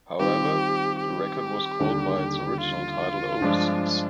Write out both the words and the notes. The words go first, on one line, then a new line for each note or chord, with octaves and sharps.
However, the record was called by its original title overseas.
D#3 G3 C4 F4 G4
G4
D#2 D3 G3 D4
F4
G2 F3 G#3 D4